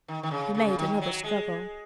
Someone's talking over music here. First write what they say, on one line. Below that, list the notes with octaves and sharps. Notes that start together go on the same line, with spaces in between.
He made another struggle.
D#3
D#3
C#3
C#3
C#3
D#3
F#3
G#3